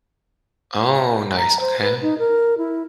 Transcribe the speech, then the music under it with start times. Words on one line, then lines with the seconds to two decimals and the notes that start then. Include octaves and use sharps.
Oh, nice, okay.
1.37 A#5
1.60 C5
1.81 B4
2.02 D#4
2.19 A#4
2.58 E4